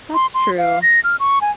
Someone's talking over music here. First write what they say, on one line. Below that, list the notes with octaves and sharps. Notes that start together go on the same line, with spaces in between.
That's true,
C6
C6
F5
A#6
F6
C#6
G#5